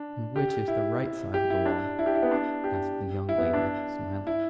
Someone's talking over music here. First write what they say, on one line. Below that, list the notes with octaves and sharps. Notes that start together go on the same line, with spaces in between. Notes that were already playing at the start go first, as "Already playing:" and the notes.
"And which is the right side of the wall?" asked the young lady, smiling.
Already playing: D4
G4
E4
G4
E4
D4
E4
G4
E4
B3
D4
G4
E4
B3
E4
D4
E4